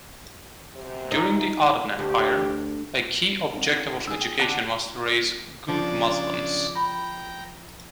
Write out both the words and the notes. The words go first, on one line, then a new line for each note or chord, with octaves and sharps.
During the Ottoman Empire, a key objective of education was to raise 'good Muslims'.
F#2 C3
D#4
D2 G4
G#1 C4
D#3 G#4 E6
G5
D3 F#5 A5
C#3 F3 D4 D5
G5 A#5 B5